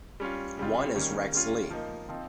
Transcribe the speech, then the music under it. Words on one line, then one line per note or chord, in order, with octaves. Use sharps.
One is Rex Lee.
G3 C#4 F4
C#3 G3 C4 F4
D#3 G3 A#3 C#4
G3 C#4 F4
F3 A#3 D#4
F3 C4 D#4